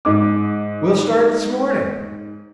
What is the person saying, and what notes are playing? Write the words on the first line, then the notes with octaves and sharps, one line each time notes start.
We'll start this morning.
G#2 D6